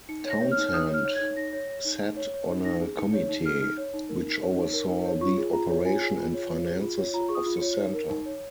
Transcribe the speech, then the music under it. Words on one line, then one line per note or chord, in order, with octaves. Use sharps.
Townshend sat on a committee which oversaw the operation and finances of the centre.
D#4 C#7
C#5
A#6
C#5
F6
D#4
F6
D#4 D#6
C#5 F6
C#5
G#6
D#4
D#4 A#6
C#5
C#5
D#4
D#4
C#5
C#5
D#4
D#4 A#6
G#4
D#4 C#7
C#5
D#4
G#4 F6
D#4 F6
C#5
D#4
A#4
D#4
C#5
D#4
A#4
D#4
C#5
F4 C#6
G#4
F4 A#5
C#5
F4 G#5
G#4
F4
C#5
F4
G#4
F4
C#5
F4 A#5
G#4 C#6
D#6
F4
C#5 C#7
D#4
A#4
D#4
C#5